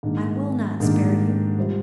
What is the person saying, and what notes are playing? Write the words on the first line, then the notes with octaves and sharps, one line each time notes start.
I will not spare you.
G#2 D#3 A#3 D4
G#2 D#3 A#3 D4
C3 G3 C4 F4 C5